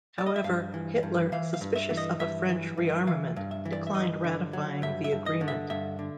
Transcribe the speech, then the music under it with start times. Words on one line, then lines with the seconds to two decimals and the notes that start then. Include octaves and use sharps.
However, Hitler, suspicious of a French rearmament, declined ratifying the agreement.
0.18 D5
0.26 D#5
0.36 E5
0.44 G2 F5
0.74 E3
1.03 G2
1.32 E3 F5
1.54 F5
1.61 G2
1.76 E5
1.90 E3
1.97 D#5
2.19 G2 E5
2.49 E3
2.77 G2
3.07 E3 F5
3.36 G2
3.51 E5
3.65 E3
3.73 D5
3.87 E5
3.95 G2 D#5
4.24 D3
4.53 F#3
4.82 G2 E5
5.04 E5
5.12 G2
5.26 D#5
5.41 D3
5.48 E5
5.70 G2 E5
5.99 D3